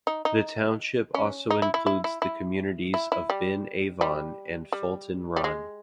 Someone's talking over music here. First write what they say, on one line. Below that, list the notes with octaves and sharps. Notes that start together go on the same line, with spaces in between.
The township also includes the communities of Ben Avon and Fulton Run.
D#4
D#4
C#4
D#4
E4
E4
E4
E4
E4
E4
E4
G3
G3
G3
G3
G#3